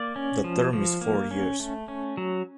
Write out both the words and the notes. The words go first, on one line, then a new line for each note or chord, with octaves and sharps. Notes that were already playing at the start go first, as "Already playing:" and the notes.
The term is four years.
Already playing: A#3 D5
C#4
F3
F3
A#3
C#4
A3
C#4
F#3